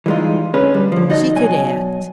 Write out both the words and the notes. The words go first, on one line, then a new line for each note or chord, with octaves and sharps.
She could act.
E3 G3 G#3 D#4 F4
D3 C#4 G#4 B4
G3
D3 F3
D#4 F#4 D5 D#5
B2 F#3 G#5